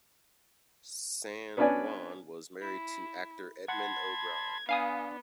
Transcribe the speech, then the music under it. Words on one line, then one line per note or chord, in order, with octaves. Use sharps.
San Juan was married to actor Edmond O'Brien.
B3 C#4 D4 B4 D5 G#5
E4
F#5 A5 B5 C6 G#6
B3 D4 F5 G#5 D#6